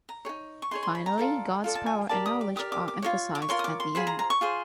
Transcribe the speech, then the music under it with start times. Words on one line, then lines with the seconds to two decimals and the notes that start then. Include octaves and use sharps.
Finally God's power and knowledge are emphasized at the end.
0.09 A#5
0.25 G#4 C#5
0.29 D#4
0.62 C#6
0.71 D#4 G#4 C#5 C6
0.83 C6
0.95 B5
1.06 A#5
1.18 F4 A4 D5
1.64 F4 A4 D5
1.75 A5
1.86 G#5
2.09 G4 A#4 D5 A5
2.26 D#6
2.41 D6
2.56 G4 A#4 D5 D#6
2.72 D6
2.88 D6
3.02 F4 A#4 C#5
3.35 D6
3.42 C#6
3.49 F4 A#4 C#5 C6
3.59 D#6
3.64 D6
3.80 C6
3.95 F4 G#4 C5 B5
4.07 A#5
4.19 A#5
4.30 C#6
4.41 F4 G#4 C5